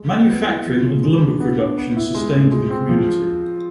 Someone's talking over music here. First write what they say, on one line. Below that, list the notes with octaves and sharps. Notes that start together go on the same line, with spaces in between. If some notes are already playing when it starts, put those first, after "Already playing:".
Manufacturing and lumber production sustained the community.
Already playing: G#3
C4
B3
E4
F3
G#3
G#3
D4
B3
D4
B3
E4
G#3
A2
G#3
C4
F3